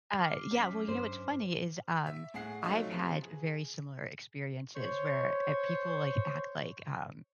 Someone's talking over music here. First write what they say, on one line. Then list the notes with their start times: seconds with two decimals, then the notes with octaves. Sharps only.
Uh, yeah, well, you know what's funny is, um, I've had very similar experiences where, uh, people, like, act like, um,
0.16 D6 F6 C7
0.51 F#2 B6
0.88 G2 C5
2.06 E5
2.34 A2 G#4 F#5 C7
2.62 F3 F#3 A3 C#4 D#4 F4
2.91 C3 F3 B4
3.23 G#4
4.76 C5 C#5